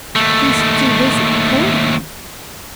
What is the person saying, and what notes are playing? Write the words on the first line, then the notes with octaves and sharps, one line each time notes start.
"He's too busy, courting."
D#2 A3